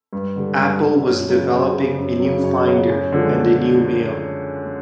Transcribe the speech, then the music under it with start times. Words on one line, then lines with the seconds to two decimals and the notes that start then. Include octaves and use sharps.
Apple was developing a new Finder and a new Mail.
0.13 G2
0.36 D3 G3
0.59 G2
0.81 D3 G3
1.05 F#2
1.28 C#3 F#3
1.51 F#2 C5
1.74 C#3 F#3
1.98 F#2
2.20 C#3 F#3
2.43 F#2 C#5
2.67 C#3 F#3
2.89 F#2
3.12 D3 F3 G#3